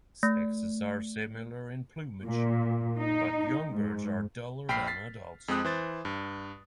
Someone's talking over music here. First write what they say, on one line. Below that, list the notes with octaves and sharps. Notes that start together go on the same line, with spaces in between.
Sexes are similar in plumage, but young birds are duller than adults.
A3
A#2
D#4
G#2
A#1 G5 B5 F6 B6 C7
A6 B6 C7
F2 G#3 C4 D#6 F#6
E3 C5 A6
G2